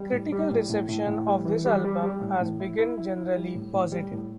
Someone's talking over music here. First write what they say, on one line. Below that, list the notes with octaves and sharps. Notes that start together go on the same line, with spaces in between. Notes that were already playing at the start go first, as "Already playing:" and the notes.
Critical reception of this album has been generally positive.
Already playing: G3
A2
G3
A2
A2
A2
A2
G3
E3
G3
G3
G3
A2
A2
E4
E4
E4
E4
G3
A2
A2
G3
A2